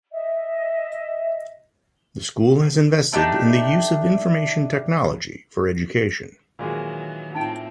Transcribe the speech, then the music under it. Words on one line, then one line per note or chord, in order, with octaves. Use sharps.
The school has invested in the use of Information Technology for education.
D#5 E5
A3 D4 D#4 G4
A#2 D#3 E3 F#3 G#3 F#4
A2 C4 D#4 F4 E5 G5 A5 A#5